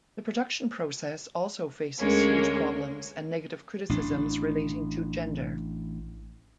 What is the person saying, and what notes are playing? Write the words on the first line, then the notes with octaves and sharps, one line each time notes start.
The production process also faces huge problems and negative criticisms relating to gender.
D2 G#3 A#3 C#4
A1 D4